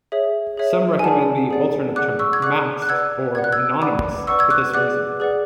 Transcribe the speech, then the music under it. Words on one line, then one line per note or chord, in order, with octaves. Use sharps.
Some recommend the alternate term "masked" or "anonymous" for this reason.
G#4 C#5 E5
G#4 C#5 E5
G#5
G#4 D5 F#5 A5
G#4 D5 F#5
G#4 D5 F#5 D6 F#6
C#6 E6
G#6
G#4 D5 F#5 D6 F#6
F#6
B4 D5 F#5 E6 G#6
B4 D5 F#5 G#6
F#6
E6 G#6
B4 D5 F#5 B5 D6
B4 D5 F#5 C#6 E6
E6 G#6
D6 F#6
G#4 B4 D5 F#5 D6 F#6
G#4 B4 D5 F#5